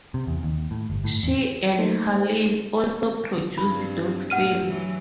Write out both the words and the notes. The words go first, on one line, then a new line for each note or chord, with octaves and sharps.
She and Harlin also produced those films.
C3
E2
D#2
A2
G1
A2
E2
A3 A#3 D#4 A4 C5
G2 C4 B5
G2 A#2 A3 F#5 F6 D#7
E3 F#3